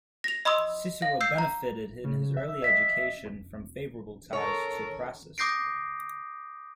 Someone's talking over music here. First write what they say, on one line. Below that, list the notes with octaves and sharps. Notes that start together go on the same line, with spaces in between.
Cicero benefited in his early education from favorable ties to Crassus.
A#6 F7
D#5 B5 C6 D#6 E6
F5
E6 G6 C7
A#5
C#3
E5
D#5 B6
A4 A#4 C#5
D6 D#6 G6 A#6 C7 D7